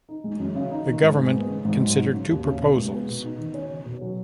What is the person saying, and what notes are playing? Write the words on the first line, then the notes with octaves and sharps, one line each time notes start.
The government considered two proposals.
D#4
G#3
F#2
C#3
D#4
D#3
G#2
G#3
B3
C#3
G#2
F#3
D#4
C#3
D#2
C#3
B2
G#3
B3
B2
D#4
D#3
C#4
C#3
B2
F#3